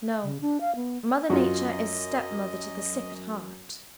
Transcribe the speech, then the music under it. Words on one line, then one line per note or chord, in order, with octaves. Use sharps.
No! Mother Nature is stepmother to the sick at heart.
C#3
D4
F5
B3
F#2 F4 F#4 D#5